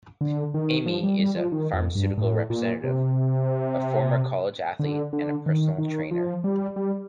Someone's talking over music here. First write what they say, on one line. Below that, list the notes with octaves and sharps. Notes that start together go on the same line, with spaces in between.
Amy is a pharmaceutical representative, a former college athlete, and a personal trainer.
D3
D#3
F3
G3
G3
F3
D#3
F2
G2
A2
A#2
C3
D3
D3
D#3
D#3
F3
G3
G3